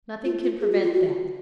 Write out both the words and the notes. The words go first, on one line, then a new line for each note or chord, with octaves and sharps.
Nothing can prevent that.
F4
F4
G#4
F#4
F4
F#4